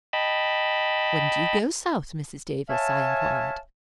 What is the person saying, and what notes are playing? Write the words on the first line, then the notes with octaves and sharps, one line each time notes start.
"When do you go South, Mrs. Davis?" I inquired.
D#5 G5 A5 B5
C#5 E5 F5 G#5 A5